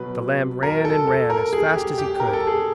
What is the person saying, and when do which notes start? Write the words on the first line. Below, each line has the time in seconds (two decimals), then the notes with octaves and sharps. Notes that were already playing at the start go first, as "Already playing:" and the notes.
The lamb ran and ran as fast as he could.
Already playing: B2 F#3 B4
0.63 A#4
0.85 A4
1.07 A4
1.30 A#4
1.53 G#4
1.75 G4
1.98 G4
2.20 A#4
2.33 A4
2.47 G#4